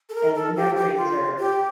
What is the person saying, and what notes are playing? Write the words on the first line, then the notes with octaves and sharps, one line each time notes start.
and the memories are
A4
A#4
A4
G4
G4
F4
G4